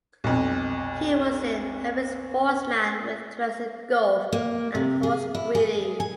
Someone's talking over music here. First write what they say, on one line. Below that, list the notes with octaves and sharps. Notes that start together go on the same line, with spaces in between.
He was an avid sportsman with interests in golf and horse breeding.
B1 F2
A#3
C3
G#4
E4
G#4
G#5